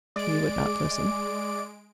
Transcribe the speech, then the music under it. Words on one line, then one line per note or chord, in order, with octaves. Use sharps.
He would not listen.
G#3 D5 D7